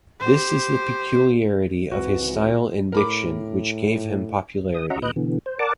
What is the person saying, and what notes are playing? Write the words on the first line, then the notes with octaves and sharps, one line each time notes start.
This is the peculiarity of his style and diction which gave him popularity.
G4 C5
G#1 C#2 E3 C4 F#4 B4
A2 A#4 B5 D6
D#6
C#4 F#4 D#5 E5 F#5 A#5
A#2 B4 D#5 F#6 G6
B2 D3 E3
C5
A#4 D5 F#5 A5 D6